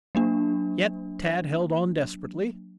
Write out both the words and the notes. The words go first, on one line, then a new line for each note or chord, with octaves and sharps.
Yet Tad held on desperately.
F#3 A#3 D4